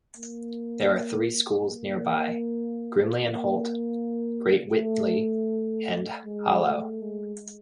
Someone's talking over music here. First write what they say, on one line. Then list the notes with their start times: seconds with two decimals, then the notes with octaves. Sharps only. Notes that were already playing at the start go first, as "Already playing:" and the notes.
There are three schools nearby: Grimley and Holt, Great Witley and Hallow.
0.17 A#3
1.69 A#3
3.21 A#3
4.73 A3
6.25 G#3
6.64 A3
7.02 G#3